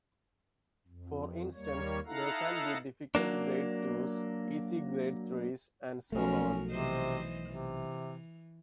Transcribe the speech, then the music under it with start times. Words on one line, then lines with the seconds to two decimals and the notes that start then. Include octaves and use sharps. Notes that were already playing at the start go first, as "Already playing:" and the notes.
For instance, there can be difficult grade twos, easy grade threes, and so on.
0.88 F2
1.55 D#2 G3 A#3 C#5
2.06 D#4 E4 A4 F5 F#5 A#5
3.15 F#3 A#3 D4
6.12 B1 F3 A3 C#4 F#4 A#4
6.69 C3 E3 C5 D#5
7.48 C3 E3